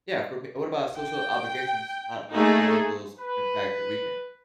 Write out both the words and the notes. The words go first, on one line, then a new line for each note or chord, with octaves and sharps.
Yeah, for me what about social obligations? How how how does those impact your weekend?
G5
A3 A#3 D#4 G#4 A4
B4